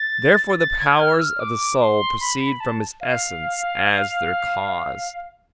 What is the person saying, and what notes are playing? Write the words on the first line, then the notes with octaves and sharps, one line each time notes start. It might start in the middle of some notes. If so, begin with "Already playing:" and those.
Therefore the powers of the soul proceed from its essence as their cause.
Already playing: A6
A6
G#6
F6
E6
F6
D6
C6
B5
B5
A5
F5